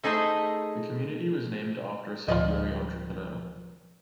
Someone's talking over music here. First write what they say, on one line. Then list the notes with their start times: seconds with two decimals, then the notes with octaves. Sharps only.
The community was named after a Saint Louis entrepreneur.
0.03 A3 D#4 G#4 C5 D#5 E5
2.28 D1 F3 F4 D5 D#5